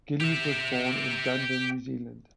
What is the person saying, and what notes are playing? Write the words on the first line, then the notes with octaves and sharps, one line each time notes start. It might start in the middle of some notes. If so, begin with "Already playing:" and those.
Gillies was born in Dunedin, New Zealand.
G4 E5